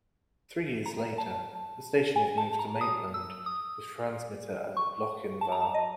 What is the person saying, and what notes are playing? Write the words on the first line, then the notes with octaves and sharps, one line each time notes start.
Three years later, the station was moved to Maitland, with transmitter at Lochinvar.
A#5
A5
G#5
A5
A#5
D#6
E6
D#6
C#6
A5
A#5
A5
D#5